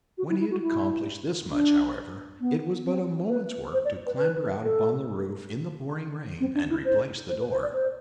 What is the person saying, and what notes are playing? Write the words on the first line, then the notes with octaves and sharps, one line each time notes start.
When he had accomplished this much, however, it was but a moment's work to clamber out upon the roof in the pouring rain and replace the door.
F#4
E4
E4
F#4
E4
D4
B3
C4
B4
C5
D5
B4
B4
A4
C4
D4
E4
C5
C5
B4
C5
D5
C5